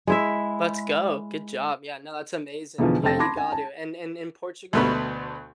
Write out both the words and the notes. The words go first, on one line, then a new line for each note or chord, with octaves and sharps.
Let's go. Good job. Yeah. No, that's amazing. Yeah, you got to. And and in Portugal,
G#3 E4 E5
E2 B2 D3 E3 F3
F1 C4 A4 G5 A6 A#6
A5 B5 C6 D6 G#6 A#6
G#5
A5
D2 B2 A3 B3 B5